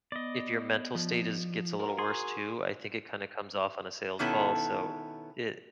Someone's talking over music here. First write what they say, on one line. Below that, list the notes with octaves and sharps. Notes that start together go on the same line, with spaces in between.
if your mental state is gets a little worse, too, I think it kinda comes off on a sales call, so, it
B3 D5 D#5
F3
F#4 A#4
G#4 C6 C#6
B2 D#3 B3 C#4 E4 A4